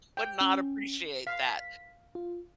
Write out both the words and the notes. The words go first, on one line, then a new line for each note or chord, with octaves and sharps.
would not appreciate that,
G5
C#4
F5 B6
F4